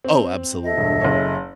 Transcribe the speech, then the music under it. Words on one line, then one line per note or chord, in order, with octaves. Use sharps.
Oh, absolutely.
C4
A4 D#5 E5
E1 G2
F#1 G#4 C#5